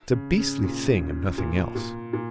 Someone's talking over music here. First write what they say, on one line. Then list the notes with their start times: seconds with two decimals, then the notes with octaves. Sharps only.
It's a beastly thing and nothing else.
0.13 C#3
0.38 C#3
0.63 A#2
1.38 A#2
1.75 A#2
2.13 A#2